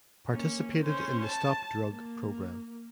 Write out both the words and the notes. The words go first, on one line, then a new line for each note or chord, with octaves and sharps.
Participated in the Stop Drug Program.
A#3 C#4
C#4 C5
A5
A#3